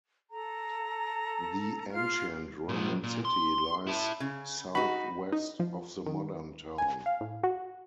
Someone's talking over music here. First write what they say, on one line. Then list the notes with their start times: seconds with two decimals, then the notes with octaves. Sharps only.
The ancient Roman city lies southwest of the modern town.
0.31 A4 A#5
1.91 F4 F5 F6
2.69 A#2 F3
3.03 A#2
3.25 C6
3.87 E4 A5
4.20 C#3
4.75 D#4 F#4 B5
5.32 D#4
5.60 F3
6.06 D#3
6.78 G#5
7.06 F5
7.21 A2
7.43 F#4